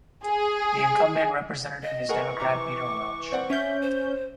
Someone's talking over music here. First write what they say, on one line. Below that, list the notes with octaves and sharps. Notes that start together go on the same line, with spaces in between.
The incumbent representative is Democrat Peter Welch.
G#4
D#5
E3 G#4 A#4 F#5 C#6
C3 A#5 D6
C4 D5 F#5
C#4 E5 G6
C5